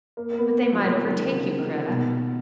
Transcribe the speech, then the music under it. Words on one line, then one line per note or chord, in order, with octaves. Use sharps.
"But they might overtake you, Kreta."
A#3
A#3
B3
A#3
F3
F#3
D#3
C#3
D#3
B2